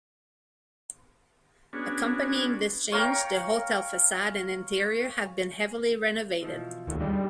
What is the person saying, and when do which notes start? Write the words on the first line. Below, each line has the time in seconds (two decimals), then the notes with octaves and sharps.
Accompanying this change, the hotel facade and interior have been heavily renovated.
1.73 B3 C#4 D4 F#4 G#4
2.92 C#5 F5 G5 A#5
6.41 B2 E3 F3
6.87 D#2 G#2 D3 F#4
7.00 G3 G#3 D4 D#5